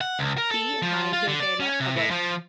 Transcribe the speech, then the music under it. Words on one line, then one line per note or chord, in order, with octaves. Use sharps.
See harjoitella above.
F#5
C#2
A#4
A4
F3
F4
D3
D5
C#4
C3
A2
F3